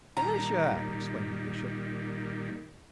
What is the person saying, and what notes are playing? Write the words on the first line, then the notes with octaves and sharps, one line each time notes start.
"Felicia!" exclaimed the Bishop.
A#2 D#3 G3 A#5